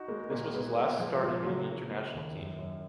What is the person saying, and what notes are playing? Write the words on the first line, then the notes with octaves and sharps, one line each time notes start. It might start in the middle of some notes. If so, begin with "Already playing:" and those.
This was his last starting in an international team.
Already playing: D#4 F#4
G#3 A#3
A#2 A#3
G#3 B3
A#3
G#3
B3
F3 G#3 F4
F3 G#3 F4
C#3 F#3 F#4
A#3
A#3
D#2
F#2
F#2